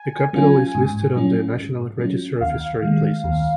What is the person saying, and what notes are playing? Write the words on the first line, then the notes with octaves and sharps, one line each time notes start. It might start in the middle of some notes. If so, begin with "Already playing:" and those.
The Capitol is listed on the National Register of Historic Places.
Already playing: G#5
F#3 C#4 F4
G#2
F#3 C#4 F4
G#2
F#3 C#4 F4
D#2 F5
D#3 G#3
D#2